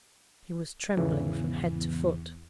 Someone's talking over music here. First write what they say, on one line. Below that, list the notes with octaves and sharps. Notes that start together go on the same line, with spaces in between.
He was trembling from head to foot.
E2 G#2 C#3 E3